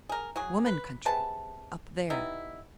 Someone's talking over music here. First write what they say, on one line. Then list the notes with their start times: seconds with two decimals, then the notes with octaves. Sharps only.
"Woman Country--up there."
0.09 G#4 A#4
0.36 F#3 F#4 G#4
0.66 B4
1.05 C3 G#4 B4 A5
2.10 G3 B3 D#4 E4